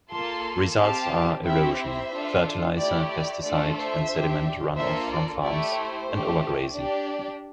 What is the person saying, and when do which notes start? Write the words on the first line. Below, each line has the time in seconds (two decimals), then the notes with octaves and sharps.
Results are erosion; fertilizer, pesticide and sediment runoff from farms; and overgrazing.
0.11 A#3 F4 A4 A5 C6
0.78 C4 G4 F5 A5
1.44 C4 E4 G4 E5 G5
1.78 C5 E5
2.11 D4 F4 A4
2.77 A3 E4 G4 D5
3.10 D5
3.43 A3 D4 F4 A4 D5
3.76 C5 E5
4.10 D4 G4
4.76 A#3 D4 F4 A4 C5 E5
5.10 D5
5.43 A3 E4 G4 D5
5.76 C5
6.09 A3 D4 G4
6.76 D4 G4 D5